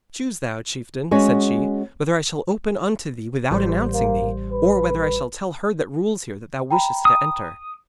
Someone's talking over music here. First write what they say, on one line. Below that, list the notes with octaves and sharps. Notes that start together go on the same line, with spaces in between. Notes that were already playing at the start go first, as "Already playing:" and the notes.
'Choose thou, chieftain,' said she, 'whether I shall open unto thee without announcing thee, or whether I shall tell her that rules here that thou wishest to enter.'
G#3 C#4 F#4
A1 G3 C5
A#3
B4
G5 A#5 B5
D#6